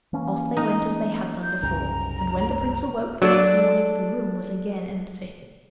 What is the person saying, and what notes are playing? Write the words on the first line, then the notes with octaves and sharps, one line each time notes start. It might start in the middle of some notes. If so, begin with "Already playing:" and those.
Off they went as they had done before, and when the prince awoke the next morning the room was again empty.
E3 A#3 C#4
D#4
G6
F#1 C2 C#3 A#5
F#3 D4 A4 D5